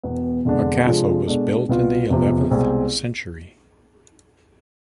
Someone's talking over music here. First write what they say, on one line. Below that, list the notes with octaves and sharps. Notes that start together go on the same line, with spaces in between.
A castle was built in the eleventh century.
E1 E2 B2 B3
F1 E2 D3 G#3 D4
C3 F3 G#3 D4 A4
B2 G#3 D4 A4
C2 B2 B3 F4
F1 E2 C3 F3
C2 B2 G#3 C4 G#4